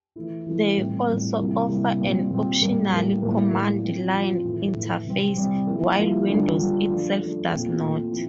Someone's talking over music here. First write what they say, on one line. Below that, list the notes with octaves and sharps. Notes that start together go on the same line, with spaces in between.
They also offer an optional command-line interface, while Windows itself does not.
E3 A3 E4
E3 A3 E4
A2 G3 C4
A2 G3 C4
C3 G3 A#3 E4
C3 G3 A#3 E4
A#2 G3 C4
A#2 G3 C4
A2 G3 A#3
A2 G3 A#3
A2 G3 A#3 E4
A2 G3 A#3 E4
F3 C4 F4
F3 C4 F4
A2 E3 A3 E4
A2 E3 A3 E4
C3 G3 C4
C3 G3 C4
F3 A#3 E4
F3 A#3 E4
D3 G3 D4 F4
D3 G3 D4 F4
F3 A3 D4
F3 A3 D4
A#2 A3 C4 F4
A#2 A3 C4 F4
F3 C4 E4